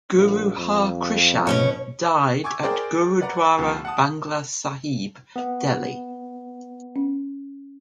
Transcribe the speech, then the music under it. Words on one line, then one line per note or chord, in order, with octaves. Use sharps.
Guru Har Krishan died at Gurudwara Bangla Sahib, Delhi.
A#1
F2
B2 C#4 C#5
G#5 C#6 D6 E6 G#6
G#4 A#4 C5 D5 G5
B4 D5 F#5 A#5
D2 F3 B3 G4
F#5 A5 D#6
B3
C#4